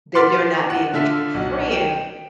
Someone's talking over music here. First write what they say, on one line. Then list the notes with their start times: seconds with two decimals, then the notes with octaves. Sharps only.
that they're not being a true friend,
0.15 F#5 C6 D6 F6 A6 B6
0.70 F#5
0.93 D3 F4 A4 E5 B6
1.34 B1
1.71 G5 D#7 E7